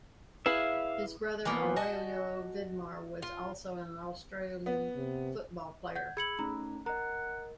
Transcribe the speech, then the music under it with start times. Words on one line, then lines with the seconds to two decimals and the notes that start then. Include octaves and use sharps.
His brother Aurelio Vidmar was also an Australian football player.
0.46 E4 G#4 B4 E5 F5
1.45 E3 F3 A#3 B3
1.76 F#4 D#5 G#5 A5
3.22 F4
4.66 B3
4.96 C3
5.95 F#5 G6 G#6
6.17 G#4 B5 E6 G#6 C#7 F#7
6.39 A3 C#4 D#4 A#5
6.86 A#4 D#5 F#5 A#5